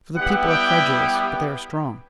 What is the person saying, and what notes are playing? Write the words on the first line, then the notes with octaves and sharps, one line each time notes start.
For the people are credulous, but they are strong.
G3 B3 E4 G4 F#5
G5